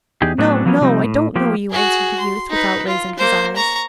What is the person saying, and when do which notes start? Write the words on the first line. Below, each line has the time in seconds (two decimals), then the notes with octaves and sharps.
'No, no; I don't know you,' answered the youth, without raising his eyes.
0.22 E2 D#4 G4 G#4
0.38 A2 F#3 A3 B3 C#4 D4
0.65 D3 F3 F#3 A#3 B3 C#4
0.81 C3 F3 G3 C4 D#4
1.04 A2
1.36 F3 A#3 G4
1.70 F#4 G#4
2.19 C6
2.50 D#4 B4
2.87 F4
3.18 A#3 C5
3.56 A#5 C#6